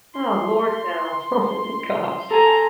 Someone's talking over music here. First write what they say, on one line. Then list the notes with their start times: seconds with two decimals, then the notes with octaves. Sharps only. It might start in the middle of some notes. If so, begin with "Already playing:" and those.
Oh lord no. Oh, gosh.
0.14 C6
2.30 A4 G#5 A#5